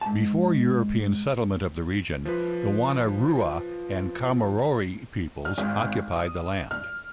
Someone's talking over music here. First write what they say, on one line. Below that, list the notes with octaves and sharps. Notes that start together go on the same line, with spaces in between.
Before European settlement of the region the Wonnarua and Kamilaroi peoples occupied the land.
G#2 A5
F3 B4
F6
G#1
D#6
F6